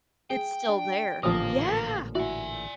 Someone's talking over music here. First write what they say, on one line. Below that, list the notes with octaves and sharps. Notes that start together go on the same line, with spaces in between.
It's still there, yeah.
G#4 G5
D4
A1 A#2 D3 F3 C4 A#4 F5 D#6
E4 F#4 D5 G#5